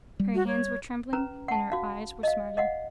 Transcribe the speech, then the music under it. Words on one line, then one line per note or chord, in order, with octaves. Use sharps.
Her hands were trembling and her eyes were smarting.
G3
F#4
C#5
C#4 B4 A#5
F#5 A5
F#4 F5
D#5 F5
D#5 F5 F#5